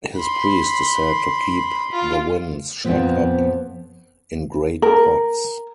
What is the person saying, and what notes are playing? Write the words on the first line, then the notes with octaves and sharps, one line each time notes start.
His priest is said to keep the winds shut up in great pots.
B5 C6
F4
F2 A#2 D#3 F3 B3 C4
A#4